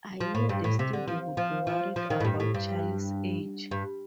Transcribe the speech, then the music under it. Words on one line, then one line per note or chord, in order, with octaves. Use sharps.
I knew the studio would be worried about Charlie's age.
F3
A2
G2
A2
C3
D3
F3
F3
F3
F3
D#3
A2
G2
A2
G2
G2